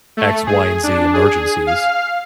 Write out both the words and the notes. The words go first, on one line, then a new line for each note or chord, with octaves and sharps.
x, y, and z emergencies.
A3
G#4
D4
G#4
F5